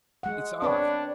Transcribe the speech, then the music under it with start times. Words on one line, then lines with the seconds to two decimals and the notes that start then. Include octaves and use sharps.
"It's I."
0.23 G#3 F#5
0.62 C4 D4 B4 C#5